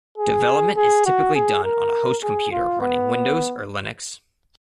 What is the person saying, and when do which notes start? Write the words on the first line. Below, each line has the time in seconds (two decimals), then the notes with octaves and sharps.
Development is typically done on a host computer running Windows or Linux.
0.18 G#4
0.77 G#4
1.06 F#4
1.35 G#4
1.64 A#4
2.23 G#4
2.52 F4
2.82 B3